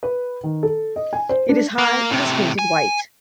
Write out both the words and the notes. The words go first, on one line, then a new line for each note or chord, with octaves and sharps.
It is high and is painted white.
B4
D#3
A4
D#5
G#5
C5
D4
A#3
A2 C3
G#5